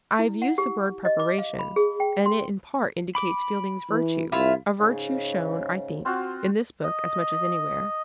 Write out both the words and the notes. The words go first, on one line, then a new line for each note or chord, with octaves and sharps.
I have used the word "preparations," and it in part indicates Fielding's virtue, a virtue shown, I think, in this book as much as anywhere.
E4
F#5
G4
D#5
D6
F5
B5
G#4
G5
C6
B5 D6
E3
C2 E4 F4
G#2 C#3
C4 F4 F#4
D#5